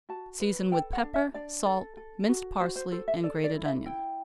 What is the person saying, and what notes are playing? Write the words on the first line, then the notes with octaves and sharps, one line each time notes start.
Season with pepper, salt, minced parsley, and grated onion.
F#4 A5
B4
A4 G5
F#5
D4
E5
D4 D5
A4
A4
F#4
F#4 C5
C5
A4 C5
E5
A4 D5
D5
E4
E5
E4 G5